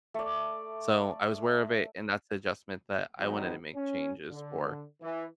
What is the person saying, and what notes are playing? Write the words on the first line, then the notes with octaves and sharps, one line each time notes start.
So, I was aware of it, and that's the adjustment that I wanted to make changes for
A3 D5
G#2 D#3 F#3 B3 C4 D#4
C#4
D3
E3